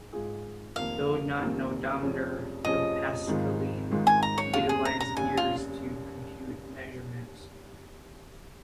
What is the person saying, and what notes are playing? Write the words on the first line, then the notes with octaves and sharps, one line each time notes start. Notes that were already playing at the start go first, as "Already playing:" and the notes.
Though not an odometer, the "pascaline" utilized gears to compute measurements.
Already playing: G#2 G#3 G#4
G#2 G#3 F4 G#4
F1 F2 D#3 A#3 F5
F1 F2 D#3 A#3
F1 F2 F3 C#4 G#4
F1 F2 F3 C#4 G#4 D#5
G#1 G#2 D#3 G#3 F4
G#1 G#2 D#3 G#3 F4
G#5
A#5
C#5
F1 D#2 C#3 F4
G#4
A#5
A#5
F1 D#2 C#3 G#5
F4